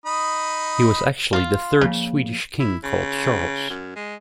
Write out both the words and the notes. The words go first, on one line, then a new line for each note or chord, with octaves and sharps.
He was actually the third Swedish king called Charles.
D#4 B5 D#6
F4
C#3 F3 A#3
E4
C#3
F#2
G#3